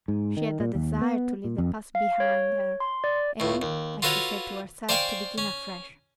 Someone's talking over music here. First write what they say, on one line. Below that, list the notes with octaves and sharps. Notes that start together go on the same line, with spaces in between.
She had a desire to leave the past behind her and, as she said to herself, to begin afresh.
G#2
D#3
A#2
D#2
B3
A#2
F2
F5
C#5
C6
D5
C#2 A2
D#2
F4 F#4 A4 B4 C#5 F5
C5 D5 F5 G5 G#5 C#6
C#4